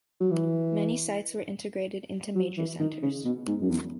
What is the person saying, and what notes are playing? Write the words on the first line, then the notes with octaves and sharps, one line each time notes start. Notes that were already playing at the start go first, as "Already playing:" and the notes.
Many sites were integrated into major centers.
F#3
E3
F#3
E3
D#3
C#3
B2
G#2
F#2
E2